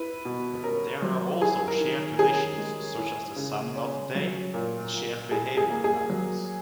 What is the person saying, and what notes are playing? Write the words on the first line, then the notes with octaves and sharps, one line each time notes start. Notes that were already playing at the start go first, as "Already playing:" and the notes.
There are also shared traditions, such as Zamenhof Day, and shared behaviour patterns.
Already playing: E4 B4
B2
C#4 A#4
F#3
E4 G#4
A#4
D#3
C#4 G#4
G#3
E4
C#3
C#4
F#3
A#2
A#2
E4 G#4
G#4
A#3
G#4
F#3